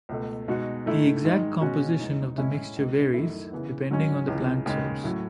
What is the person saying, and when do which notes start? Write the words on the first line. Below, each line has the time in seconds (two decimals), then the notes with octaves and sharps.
The exact composition of the mixture varies, depending on the plant source.
0.09 C#2 B2 A3
0.48 B2 G#3 D#4 F#4
0.86 G#2 D#3 A3 E4
1.24 G#2 D#3 G#3
1.61 B2 G#3 C#4 F#4
2.00 E2 C#3 G#3 D#4
2.38 A2 G#3 C#4 E4
2.76 C#2 C#3 G#3
3.14 F#2 D#3 A3 E4
3.52 C#3 E3 B3
3.90 G#2 F#3 C#4
4.28 C#2 C#3 E3
4.66 D#2 C#3 G#3
5.04 A2 F#3 A3